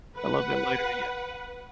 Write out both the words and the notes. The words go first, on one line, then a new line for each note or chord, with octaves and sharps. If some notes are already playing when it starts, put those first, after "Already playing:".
a little bit later. Yeah.
B4 F#5